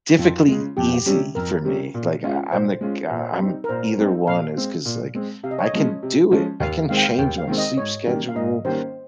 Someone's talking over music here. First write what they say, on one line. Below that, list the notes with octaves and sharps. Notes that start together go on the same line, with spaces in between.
Typically easy for me, like I I'm, like, uh, I'm either one is ‘cause, like, I can do it. I can change my sleep schedule.
F2 F4
C#3 G#3
F2 G4
C3 G3 C#4
F2 A#4
C3 G3 C#4
A#2
G#3 C#4 F4
A#2 C5
G#3 C#4 F4
A#2
G3 C4 D#4
A#4
A#2 C5
G3 C4 D#4
A#2 F5
G#3 C4
A#2
G#3 C4
C3 F5
D#5
C#5
D#5
F3 G#3 C#4
C3
F3 G#3 C#4
D#2 F5
D#3 G#3 C4 F5
G5
F5
D#2 G5
F5
D#3 G#3 C4
D#5
G#2 C#5
D#3 G3 A#3 C#4
F5
G#2 D#5
D#3 G3 A#3 C#4 C5